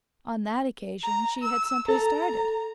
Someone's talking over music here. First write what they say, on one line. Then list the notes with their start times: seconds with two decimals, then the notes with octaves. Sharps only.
On that occasion she had simply started.
1.03 A#5
1.43 E6
1.88 A4 A#5